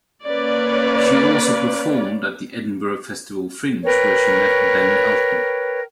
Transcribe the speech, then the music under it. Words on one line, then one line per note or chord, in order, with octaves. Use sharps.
She also performed at the Edinburgh Festival Fringe, where she met Ben Elton.
A#3 C#4 B4 C#5 D5
A#4 B4 C#5 G5